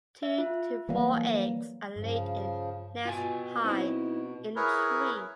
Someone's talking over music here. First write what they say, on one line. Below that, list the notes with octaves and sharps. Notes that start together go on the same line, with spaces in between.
Two to four eggs are laid in a nest high in a tree.
E5
F4
E3 F#3 G3 A#3
G2 C#3 F3
B2 F4 G5 G#5
C4 D#4 E4
E4 G#4 A#4 B4 C#5